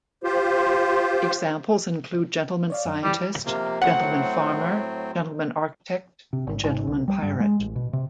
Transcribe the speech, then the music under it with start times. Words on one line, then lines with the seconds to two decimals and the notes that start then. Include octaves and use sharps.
Examples include gentleman scientist, gentleman farmer, gentleman architect, and gentleman pirate.
0.24 F4 G4 C5
2.70 C#5 D5 F5
2.85 F#2
3.04 E3 G3
3.45 C3 F3 A#3
3.82 A2 F#3 C4 F#5
6.33 C3
6.47 G#1
6.64 G#1
6.87 C2
7.08 G3
7.22 G2
7.40 G#3
7.59 A1
7.76 B2
7.93 C3